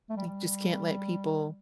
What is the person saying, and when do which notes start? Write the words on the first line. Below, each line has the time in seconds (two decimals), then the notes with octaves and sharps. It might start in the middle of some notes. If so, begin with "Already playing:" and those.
you just can't let people
0.10 A3
0.17 G3
0.27 G3